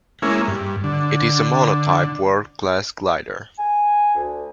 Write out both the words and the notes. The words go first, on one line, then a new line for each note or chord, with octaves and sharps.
It is a monotype World Class glider.
G#3 A#3 C#4 E4
G2
D3
G#5
D2